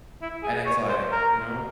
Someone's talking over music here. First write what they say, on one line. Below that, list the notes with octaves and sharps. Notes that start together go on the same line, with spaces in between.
And it's like, you know?
E4
G#4
C#5
C5
A#4